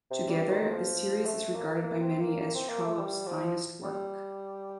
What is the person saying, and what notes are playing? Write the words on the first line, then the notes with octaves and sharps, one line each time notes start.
Together, the series is regarded by many as Trollope's finest work.
C3
G3
D#3
F3
A3
A#3
A#3
C4
A#3
A#3
C4
A#3
A3
G3
F3
G3